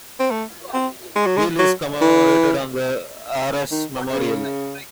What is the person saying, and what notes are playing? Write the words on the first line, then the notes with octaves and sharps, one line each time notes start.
Beal is commemorated on the Arras Memorial.
C4
A3
C4
G#3
F#3
G#3
F#3
E3
D#3
C#3